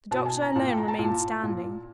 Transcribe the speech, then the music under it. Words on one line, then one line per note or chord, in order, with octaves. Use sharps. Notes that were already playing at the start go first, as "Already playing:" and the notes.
The doctor alone remained standing.
B2 A5
G#5
A#5
A#2 A5
G5
A#5
A5
A#2
A#2